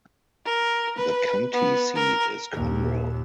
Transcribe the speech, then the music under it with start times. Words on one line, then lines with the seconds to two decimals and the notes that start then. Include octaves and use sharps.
The county seat is Conroe.
0.46 A#4
0.97 B4
1.53 B3
1.95 A#4
2.54 D#2 A#2